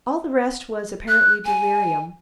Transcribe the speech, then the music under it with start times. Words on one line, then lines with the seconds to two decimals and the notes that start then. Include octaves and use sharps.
All the rest was apparently delirium.
1.09 F#6
1.46 G#5